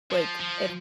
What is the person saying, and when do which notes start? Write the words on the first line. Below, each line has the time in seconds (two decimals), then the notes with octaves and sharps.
Like, if
0.11 F3
0.40 F3